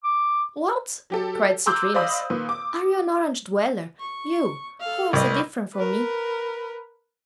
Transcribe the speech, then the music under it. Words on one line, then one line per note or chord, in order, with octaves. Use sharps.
"What," cried Citrinus, "are you an Orange-dweller; you, who are so different from me?"
D6
F#3 G4 A4
A#5 C6 D6 E6 F#6 G6
C5 D5 D#5 F5 B5 D#6
A#2 D#3 B4
D6
C#6
A4 F5
C2 B4 D#5
A#4 B4